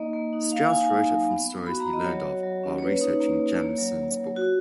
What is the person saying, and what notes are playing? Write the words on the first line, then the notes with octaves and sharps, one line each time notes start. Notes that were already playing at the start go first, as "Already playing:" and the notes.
Strauss wrote it from stories he learned of while researching Jameson's book.
Already playing: A#3 D#4 D#5
A#3
D#4
A#3 F5
D#4 G#5
D#4
F#3
B3
B3
F#4 B5
A#5
B3
D#5
F#3 C#5
F#4
F#3
C#4
C#5
A#3 B4
D#4
A#3
A#3
A#3 C#5
F#3
A#3
F#3
F4 F#4